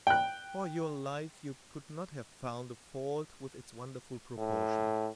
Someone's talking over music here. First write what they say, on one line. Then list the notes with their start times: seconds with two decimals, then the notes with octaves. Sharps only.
For your life you could not have found a fault with its wonderful proportion.
0.07 G5 F#6
4.38 A2